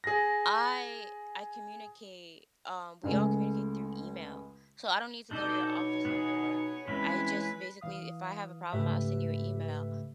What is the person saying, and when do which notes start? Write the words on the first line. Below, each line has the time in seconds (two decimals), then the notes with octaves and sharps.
I I communicate, um we all communicate through email, so I don't need to go to your office anymore. I just basically, if I have a problem, I'll send you a email.
0.04 G#4 A#6
3.03 C#2 G#3 A3
5.31 B2 D4 D#4 A4 D5 D#5 G6
5.67 C#5
6.05 B3 G#4
6.88 E3 G#3 C4 C#4 E4 B4 B6
7.81 E3 F5 D#6
8.72 G#2 C#3 A3 G4 B4 E5